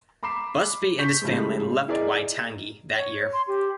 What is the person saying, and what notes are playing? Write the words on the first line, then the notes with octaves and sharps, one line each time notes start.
Busby and his family left Waitangi that year.
A#5 B5 D6 C7 E7
C#6 G6 B6
A2 C#3 F3 G3 G#3
E4 G#4 A#4 D5 D#5
C#5
C6
G4